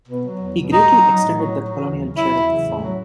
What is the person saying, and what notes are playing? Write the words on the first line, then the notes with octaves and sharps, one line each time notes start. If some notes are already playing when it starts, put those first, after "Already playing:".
He greatly extended the colonial trade of the firm.
B2
F#3
E2
B2
G#2 D#4
F#3
F#3
A2
F#3
F#3
E3
D#2
C#3
F#3 E4
E2
C#3
A2
F#3